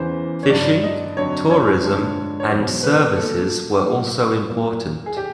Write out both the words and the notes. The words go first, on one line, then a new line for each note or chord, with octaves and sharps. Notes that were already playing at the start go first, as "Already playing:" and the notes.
Fishing, tourism and services were also important.
Already playing: E2 C#3 E3 C5
C#5
G2 D3 F#3 D5
D#5
F2 D3 F#3 C#5
C#5
G2 D3 F3 G#3
C#5
E2 B2 F#3 C5
B4
A#2 F#3 A#3 A4
A2 F#3 A#3
A#2 F#3 A#3
G#4
G4